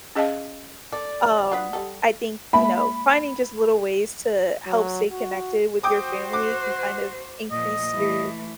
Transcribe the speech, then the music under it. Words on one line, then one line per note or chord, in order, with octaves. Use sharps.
Um, I think, you know, finding just little ways to help stay connected with your family can kind of increase your
C#4 G#4 D#5 F5 A5
A4 D5
D4 F4 B4 F#5 D#6 B6
G3 A4
G#3 A#3 E5 B5
F#3
F#4
F#4 C5 G5 D6 D#6
F#5 D6
A#2 F3 D#5
E3 A3